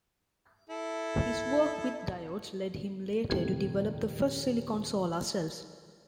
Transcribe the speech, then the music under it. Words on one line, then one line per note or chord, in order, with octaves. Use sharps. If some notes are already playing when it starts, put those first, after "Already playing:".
His work with diodes led him later to develop the first silicon solar cells.
E4 A4
D#1 F2 A2 C3 G3 G#6